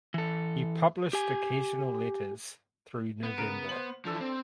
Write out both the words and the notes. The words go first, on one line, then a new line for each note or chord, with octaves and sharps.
He published occasional letters through November.
E3 A4
G4 G#5
B3
C#3 A#4 D7
C5 F#7
E3 F3 D4 A4 E6
C4